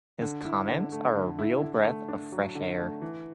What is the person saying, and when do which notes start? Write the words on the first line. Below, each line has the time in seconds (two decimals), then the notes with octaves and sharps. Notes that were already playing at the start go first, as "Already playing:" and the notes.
His comments are a real breath of fresh air.
0.22 D3
0.45 E4
0.68 D3
0.92 A3
1.15 D3
1.39 E4
1.62 D3
1.85 A3
2.09 D4
2.32 F#3
2.55 D3
2.79 A3
3.02 E3